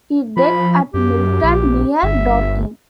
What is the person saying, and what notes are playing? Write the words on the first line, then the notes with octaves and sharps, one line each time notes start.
He died at Milton, near Dorking.
F3 B5
F#2 G4
A#1
G1 E5